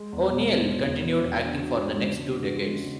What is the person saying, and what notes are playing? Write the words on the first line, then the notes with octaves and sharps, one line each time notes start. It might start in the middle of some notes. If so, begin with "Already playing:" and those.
O'Neill continued acting for the next two decades.
Already playing: G#3
E2
B2
E2
G#3
E2
B2
E2
D4
F#4
G#3
C#3
D4
F#4
G#3
C#3